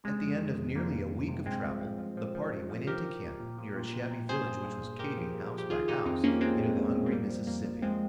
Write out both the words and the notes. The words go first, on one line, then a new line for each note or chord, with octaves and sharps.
At the end of nearly a week of travel, the party went into camp near a shabby village which was caving, house by house, into the hungry Mississippi.
C3 G#3
F2
D#3
F2
F2 G3 A#3
F2
F2
C3
G2 G#3 C4
F3
F3
F3
F3
F3
G2
F3
F3 G4 A#4
F3
F3
A#2
F3
A#2
A#2
A#2
G2 G#4 C5
G2
G2
G2
G2 G4 A#4
F3
F3
F3
G4
D#3 F4 G#4
D#3 D#4 G4
F2 C4 D#4
F2 A#3 C#4
F2 G#3 C4
F2
F2
D#3
C4
F2 G3 A#3
F3
F2 G3 A#3
F3
F3 G#3 C4